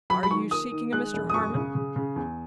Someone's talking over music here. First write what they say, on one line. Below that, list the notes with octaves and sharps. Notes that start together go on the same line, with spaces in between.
'Are you seeking a Mr Harmon?'
F#3 B5
B5
D#3 C#6
A#3 D#6
D#3
G#3 F#6
E1
D#6
F#2 C#6
C#3
C#3
C#3
E2